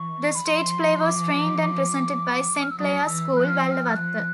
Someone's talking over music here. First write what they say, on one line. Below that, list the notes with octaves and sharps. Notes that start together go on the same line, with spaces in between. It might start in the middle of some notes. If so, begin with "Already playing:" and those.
The stage play was trained and presented by Saint Clare's School, Wellawatte.
Already playing: E3 C#6
B5
F3 C6
D6
D6
F6
E6
F#3 D#6
E3 E6
F3 F#6
F6
E6
F6
F3 F#6